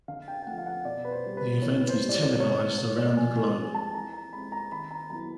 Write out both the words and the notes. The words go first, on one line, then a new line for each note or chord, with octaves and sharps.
The event is televised around the globe.
D3 F5
G5
G5
F3 A3 F#5
F5
F#5
B2 D5
B4
C5
G3 B3
B4
E3 C#5
B4
C5
G3 C4 E4
D5
C#5
C3 C#5
E3 G#3 C#5
D5
F3 G#5
G#5
G#3 C4 D#4
A5
E3 A#5
A#5
G#3 C4 B5
A#5
D#3 B5
A#5
F#3 B3 E4 A#5